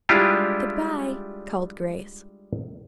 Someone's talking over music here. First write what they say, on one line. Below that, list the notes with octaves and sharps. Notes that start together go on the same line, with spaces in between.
"Good-bye," called Grace.
G3 G#3 D4 E4 F4 G4